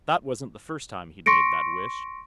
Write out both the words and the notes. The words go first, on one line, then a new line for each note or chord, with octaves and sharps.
That wasn't the first time he'd made that wish.
C6 C#6 A#6 C#7 D7